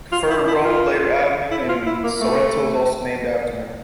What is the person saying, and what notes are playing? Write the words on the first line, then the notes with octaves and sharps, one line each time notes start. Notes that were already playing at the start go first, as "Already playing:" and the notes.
Kerferd Road, later Avenue, in Sorrento is also named after him.
F4
E4
E4
F4
E4
F4
E4
A#3
A3